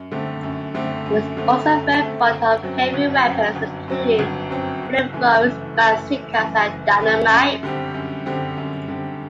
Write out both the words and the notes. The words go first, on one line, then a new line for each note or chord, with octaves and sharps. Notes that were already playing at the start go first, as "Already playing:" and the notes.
He is also very fond of heavy weapons, including flamethrowers, bazookas, and dynamite.
Already playing: F#2
D3 A3 C4
F#2
D3 A3 C4
F#2
D3 A3 C4
F#2
D3 A3 C4
G1
F#2 F#3 C4
G1
F#2 F#3 C4
G1
F#2 F#3 C4
G1
F#2 F#3 C4
F#1
F#2 E3 A3
F#1
F#2 E3 A3
F#1
F#2 E3 A3
F#1
F#2 E3 A3
F#2
D3 G3 C4
F#2
D3 G3 C4
F#2
D3 G3 C4